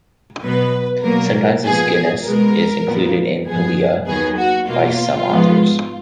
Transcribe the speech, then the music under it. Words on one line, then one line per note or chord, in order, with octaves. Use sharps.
Sometimes this genus is included in "Pilea" by some authors.
B2 F#3 B3 B4
B2 F#3 A#3 A#4
A#2 F3 B3 G#4
B2 G#3 B3 A#4
A#2 F3 B3
F#2 F3 B3 G#4
D#2 D#3 F#3 B3 G#4
F#4
B2 A#3 F4
G#2 F3 G#3 B3